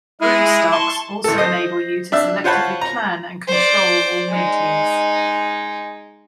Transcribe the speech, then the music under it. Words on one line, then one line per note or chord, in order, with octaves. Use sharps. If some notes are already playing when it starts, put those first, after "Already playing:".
Broodstocks also enable you to selectively plan and control all matings.
G#3 E4 G#4 G#5
A5 C6 C#6
A1 A4
C5 D#5
D4 E5 E6
F4 C5 C#5 F#5 A5 B5
A#5
C5 D5
G#3 D#4